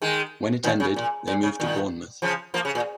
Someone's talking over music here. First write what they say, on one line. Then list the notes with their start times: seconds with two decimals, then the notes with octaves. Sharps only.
When it ended, they moved to Bournemouth.
0.02 D#3 G#3
0.64 A#2 D#3
0.80 C#3
0.96 A#2
1.27 A#2
1.43 C#3
1.60 A#2 D#3
2.22 C#3 F3
2.54 F3 A#3
2.65 C#3
2.75 A#2